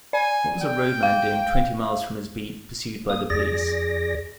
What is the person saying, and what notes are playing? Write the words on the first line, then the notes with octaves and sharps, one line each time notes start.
What was a roadman doing twenty miles from his beat, pursued by the police?
D5 G#5
G5
F5
A#3 D#6
F2 G#4 D5 A#6